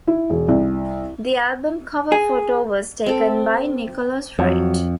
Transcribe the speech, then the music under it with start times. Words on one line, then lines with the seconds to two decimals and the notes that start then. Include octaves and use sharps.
The album cover photo was taken by Nicholas Wright.
0.07 E4
0.30 E1
0.48 C2
2.12 G#4
3.06 C4 A4
4.39 F2 F#3